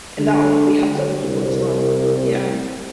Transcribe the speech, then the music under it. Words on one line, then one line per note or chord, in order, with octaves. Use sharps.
And that honestly helps other people, as well. Yeah.
D3
C2